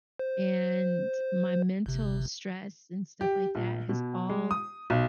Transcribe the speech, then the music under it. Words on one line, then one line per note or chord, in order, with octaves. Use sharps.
and my mental stress and stuff like that has all,
C5
G1 C3
G4
A#1
B2
G#3
D#6
B1